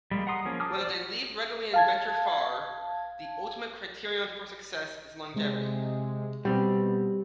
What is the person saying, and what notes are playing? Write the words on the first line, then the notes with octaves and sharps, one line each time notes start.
Whether they leave readily and venture far, the ultimate criterion for success is longevity.
G3 G#3 A#3
F#5 A#5 C6 D#6
F3 A#3 C#4 G#4
A5 D6 D#6 F6
C5 D5
F#4
F5 A5 G#6
C3 G#3
B2 G3 C4